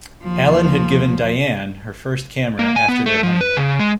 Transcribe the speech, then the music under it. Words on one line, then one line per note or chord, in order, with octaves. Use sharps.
Allan had given Diane her first camera after their honeymoon.
D#2 F3
A#3
G#5
B3
A3
F3
B4
C#3
G#3